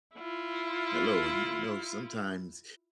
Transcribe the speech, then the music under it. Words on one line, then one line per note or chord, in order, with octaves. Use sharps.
Hello, you know, sometimes,
E4 F4